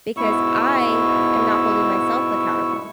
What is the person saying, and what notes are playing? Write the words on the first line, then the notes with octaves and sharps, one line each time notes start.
because I am not holding myself accountable.
G#2 B2 E4 C#6 E6